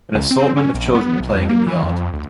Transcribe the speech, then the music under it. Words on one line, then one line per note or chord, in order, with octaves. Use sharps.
An assortment of children are playing in the yard.
C#2
C4
C#4
A#1
B3
B1
F2
A#3
E3
F2
F2
D2